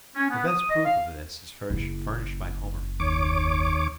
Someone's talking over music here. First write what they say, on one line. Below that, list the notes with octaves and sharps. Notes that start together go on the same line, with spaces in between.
The best proof of this is furnished by Homer.
C#4
B3
D#6
D#5
F5
F#1 E4
D#2 C#5 D6